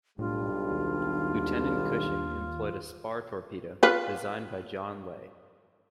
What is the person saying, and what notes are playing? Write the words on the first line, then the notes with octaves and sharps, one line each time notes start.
Lieutenant Cushing employed a spar torpedo designed by John Lay.
B1 A2 G3 D4 F4
D#2
F4 B4